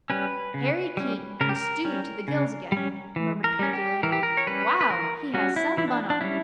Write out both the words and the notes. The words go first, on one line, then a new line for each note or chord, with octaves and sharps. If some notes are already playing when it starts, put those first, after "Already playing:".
"Harry King, and stewed to the gills again!" murmured Pete Daley. "Wow! he has some bun on!"
G3 C#4 B4
C#3
G3 C#4
C#3 A#4
G4
A#4
G3 C#4
C#3
G3 C#4
E3
A#4
G3 C#4
G4
E3 A#4
G4
A#4
C#5
G3 C#4 B4
B4
E3 A#4
G3 C#4 F#4
E4
E3 E4
D4
D4
G3 C#4 E4